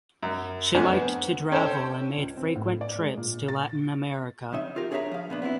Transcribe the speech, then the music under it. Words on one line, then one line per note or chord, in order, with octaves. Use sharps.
She liked to travel and made frequent trips to Latin America.
F#2
F2 A2 D4 C5 F#5 G#5
B3
C#4 A4 C5 G5
C#2
C4
A2
D5
G#3
A#2
A6
F2 C#3 D#4 E5
F4 G4 A#4
D4 G#4 C#5 D5 E5 A#5
F3 F5
A#2 B3 D4
B3 C4 D4 E4